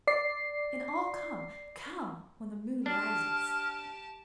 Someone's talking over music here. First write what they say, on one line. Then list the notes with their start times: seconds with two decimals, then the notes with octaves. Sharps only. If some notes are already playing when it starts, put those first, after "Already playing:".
"And all come--come when the moon rises."
0.07 D5 C7
2.86 D4 G4 A5 F6